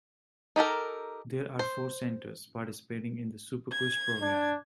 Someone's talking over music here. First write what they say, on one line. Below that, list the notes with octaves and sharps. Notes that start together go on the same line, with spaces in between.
There are four centers participating in the SuperQuest program.
D#4 G4 A4 A#4
C5
G#6
D4